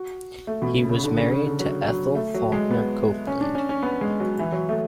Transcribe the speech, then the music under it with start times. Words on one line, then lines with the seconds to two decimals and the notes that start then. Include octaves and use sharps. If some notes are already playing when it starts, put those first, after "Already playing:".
He was married to Ethel Faulkner Copeland.
Already playing: F#4
0.47 A3
0.62 B2
0.75 C#3
0.89 C#3
1.04 D3
1.17 C#3
1.31 C#3
1.46 D3
1.60 F#3
1.88 F#3
2.15 A3
2.34 F#3
2.52 G#3
2.71 B3
3.27 C#4
3.41 D4
3.55 C#4
3.69 C#4
3.83 B3
4.01 G#3
4.20 F#3
4.39 E3
4.52 F#3
4.69 A3